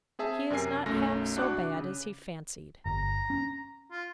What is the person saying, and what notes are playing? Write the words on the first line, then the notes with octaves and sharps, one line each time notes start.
He is not half so bad as he fancied.
C4 G#4 E5 A5
F#2 C3 A#4 G#5 C7
B1 F#2 A3 C#4 A#6
C2 D4 F#4 D6 F#6
C#3
G1 A#5
C#4
F4